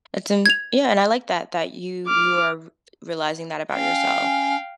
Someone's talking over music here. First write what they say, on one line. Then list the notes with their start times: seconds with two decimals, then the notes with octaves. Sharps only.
That's an Yeah and I like that that you you are re realizing that about yourself.
0.46 G#6 F7
2.07 D6 F6
3.74 C#4 F5 G5
4.21 C#4